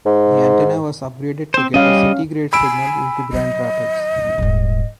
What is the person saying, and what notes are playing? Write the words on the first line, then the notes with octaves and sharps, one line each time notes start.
The antenna was upgraded to get a city-grade signal into Grand Rapids.
G#2
C4 C5
G3 C#4 D#5 F5
G#5 B5 E6 D7
D#3 F#3 D#5
D#1 G#2